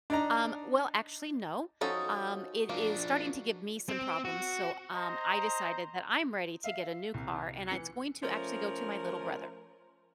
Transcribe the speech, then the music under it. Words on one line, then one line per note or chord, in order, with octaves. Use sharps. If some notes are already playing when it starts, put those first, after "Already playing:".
Um, well, actually, no, um, it is starting to give me some problems, so, um, I decided that I'm ready to get a new car, and it's going to actually go to my little brother.
D4 D#4 A#5
F3 C#4 D#4 F#4 A4
F3 A#3 D4
C4
F#4
C5 D#5 A#5
E5 F5
C2
E3 C#7
F3 A3 C#4 A#4